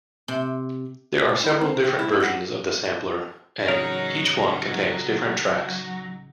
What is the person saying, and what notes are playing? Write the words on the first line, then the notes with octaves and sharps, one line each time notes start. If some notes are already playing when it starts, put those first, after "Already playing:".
There are several different versions of the sampler, and each one contains different tracks.
C3
D2
E4
C4
D#3
E4
F#5
A1 C#3 F#3 D#4 A#4 C#5 D#6